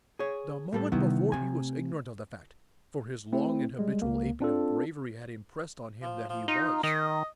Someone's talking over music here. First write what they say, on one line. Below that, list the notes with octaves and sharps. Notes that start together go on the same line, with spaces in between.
The moment before he was ignorant of the fact, for his long and habitual aping of bravery had impressed on him that he was.
G#4 C#5
A2 G3 A4
C3 D#3 G3 B3 E4
C3 A3 G#5
A3 C4 E4
G3 G#3
C#2 A#3
C4 D4 F4 A4
F3
F3
D#4 F4
D#3 D#5